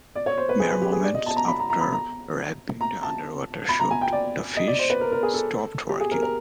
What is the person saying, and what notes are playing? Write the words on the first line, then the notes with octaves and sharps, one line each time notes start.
Mere moments after wrapping the underwater shoot, the fish stopped working.
D5
C#5
C5
B4
G#4
B4
G4
G#4
D5
D#5
A5
A#5
B5
A#5
A#5
B5
A#5
A#5
A5
B5
A#5
G#5
G5
D5
D#5
D5
C5
B4
A#4
A#4
G#4
A4
G4
G#4
A#4
A#4